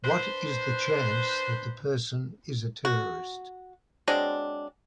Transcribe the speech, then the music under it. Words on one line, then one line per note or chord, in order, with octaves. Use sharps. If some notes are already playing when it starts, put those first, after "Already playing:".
What is the chance that the person is a terrorist?
D4 B4 C5
F#4
F#3 G#3 C4 D4